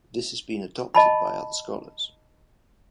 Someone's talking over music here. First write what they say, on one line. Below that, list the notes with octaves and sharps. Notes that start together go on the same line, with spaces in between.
This has been adopted by other scholars.
D#5 A5 B5